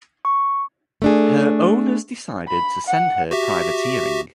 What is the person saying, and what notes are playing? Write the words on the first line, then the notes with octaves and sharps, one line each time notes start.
Her owners decided to send her privateering.
C#6
A3 D4 G#4
B5
F#5
F#4 G4 E5